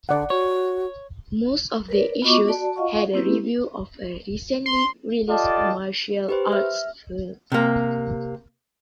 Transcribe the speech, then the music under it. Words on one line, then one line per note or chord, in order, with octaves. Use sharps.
Most of the issues had a review of a recently released martial arts film.
D3 D5 F#5
F#4 C#5
A#4 B4 C#5 D5
B3 F4 F#4 D#5 C#6 D6
F#4 D5 A5
F4 D#5 F5 F#5 C#6
A#3 C4 C#4 E4 G4 B4
C6
F4 G4 A4 D5 D#5 A5
G4 B4 C5
E5 F6
C3 A#3